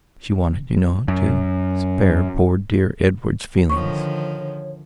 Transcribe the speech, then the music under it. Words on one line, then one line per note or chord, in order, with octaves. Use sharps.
She wanted, you know, to spare poor dear Edward's feelings.
F#2
D3 D#3 F3 C#5 C#6